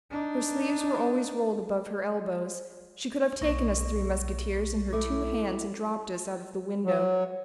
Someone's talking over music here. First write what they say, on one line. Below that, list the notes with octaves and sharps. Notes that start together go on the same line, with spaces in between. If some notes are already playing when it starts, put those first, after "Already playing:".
Her sleeves were always rolled above her elbows. She could have taken us three musketeers in her two hands and dropped us out of the window.
D4 D#4
B1 A#3 C#6 A#6
A3 E4 A4 D6
F#3